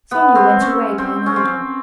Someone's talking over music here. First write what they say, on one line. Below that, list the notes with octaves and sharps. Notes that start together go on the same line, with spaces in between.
Sonya went away by another door.
B3
C4
C#4
C4
C#4
C4